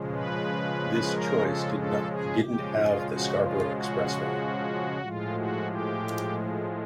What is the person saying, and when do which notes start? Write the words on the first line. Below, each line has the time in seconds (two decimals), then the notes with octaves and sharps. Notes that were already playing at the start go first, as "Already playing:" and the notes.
This choice didn't have the Scarborough Expressway.
Already playing: C#3 F3 G#3
0.11 B4
1.09 A#4
1.42 A4
1.74 A4
2.08 G#4
2.40 C#3 F3 G#3 G4
2.73 F4
3.06 F#4
3.38 F4
3.71 F#4
5.02 A2 F3 G#3 F4
5.34 F#4
5.67 G4